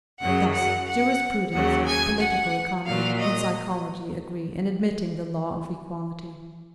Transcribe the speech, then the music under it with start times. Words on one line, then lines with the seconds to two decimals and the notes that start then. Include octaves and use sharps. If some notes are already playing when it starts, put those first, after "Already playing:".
Thus, jurisprudence, political economy, and psychology agree in admitting the law of equality.
0.19 F#2 C#3 F#3 F#5
0.53 F#5
0.86 F#5
1.53 D#2 C#3 F#3 F#5
1.87 G#5
2.20 F#5
2.87 A#2 F#3 F5
3.20 D#5